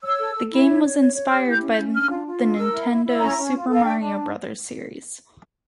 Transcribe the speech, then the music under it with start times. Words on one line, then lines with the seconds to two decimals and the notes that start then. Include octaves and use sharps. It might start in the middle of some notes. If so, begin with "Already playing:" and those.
The game was inspired by the Nintendo's "Super Mario Brothers" series.
0.03 C#5 E6
0.18 A4
0.35 A4
0.51 E4
0.67 C#5
0.82 C#5
0.99 C#5
1.14 C#5
1.29 G4 F6
1.46 E4 G6
1.62 C#4
1.73 G6
1.77 C#4
1.93 D4 F6
2.09 F4
2.26 F4
2.41 D4
2.57 A#4 E6
2.73 E4
2.89 E4
3.05 E4
3.21 C#4 A#5
3.37 C#4
3.53 F4
3.68 A4 F5
3.84 D4 G5
4.00 D4